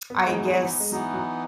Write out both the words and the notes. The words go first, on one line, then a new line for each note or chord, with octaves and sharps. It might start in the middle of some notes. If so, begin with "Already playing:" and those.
I guess,
B3
E3 G#3 B3 D#4
F#3
G#3
F#3
G#3
E3 F#3 B3 D#4
F#3